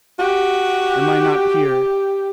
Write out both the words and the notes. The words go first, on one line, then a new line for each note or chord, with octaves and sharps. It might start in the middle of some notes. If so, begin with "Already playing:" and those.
Am I not here?
F#4 G4